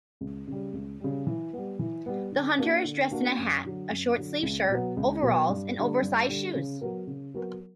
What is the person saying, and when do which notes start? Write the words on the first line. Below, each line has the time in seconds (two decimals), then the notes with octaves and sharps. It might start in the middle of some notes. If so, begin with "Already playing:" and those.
The hunter is dressed in a hat, a short-sleeved shirt, overalls and oversized shoes.
0.21 C#2
0.47 C#3 G3
0.73 C#2
1.00 C#3 G3
1.27 E3
1.53 G3 B3
1.79 E3
2.06 G3 B3
2.32 D3
2.58 A#3 D4 F#4 A#4
2.84 D3
3.11 A#3 D4 F#4 A#4
3.38 F#2
3.64 D3 F#3
3.90 F#2
4.17 D3 F#3
4.43 C#2
4.69 B2 F#3 B3
4.97 C#2
5.22 B2 F#3 B3
5.49 G2
5.76 D3 G3
6.02 G2
6.28 D3 G3
6.54 C#3
6.81 F#3 B3 F#4 A#4
7.07 C#3
7.34 F#3 B3 F#4 A#4